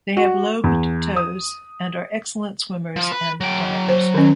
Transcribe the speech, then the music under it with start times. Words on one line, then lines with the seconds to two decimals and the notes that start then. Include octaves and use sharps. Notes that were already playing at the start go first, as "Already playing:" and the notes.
They have lobed toes and are excellent swimmers and divers.
0.17 F#4
0.64 E2
1.16 D#6
2.96 F3
3.12 B4
3.41 F#3 G5
3.88 C5
4.14 D#3 C#4